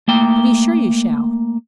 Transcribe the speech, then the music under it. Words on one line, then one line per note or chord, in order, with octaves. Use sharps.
"To be sure you shall."
A3 A#3 G5